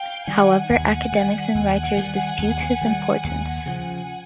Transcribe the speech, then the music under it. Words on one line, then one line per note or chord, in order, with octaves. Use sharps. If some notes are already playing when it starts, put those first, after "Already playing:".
However, academics and writers dispute his importance.
Already playing: F5 G5
D#3 G3 F#5 G#5
D#2 F#5 G#5
D#3 G3
D#2
D#3 G3
D#2
D#3 G3
D#2
C#3 F3